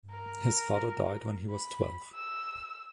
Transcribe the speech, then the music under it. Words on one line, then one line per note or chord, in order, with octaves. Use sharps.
His father died when he was twelve.
A#4
B5
E6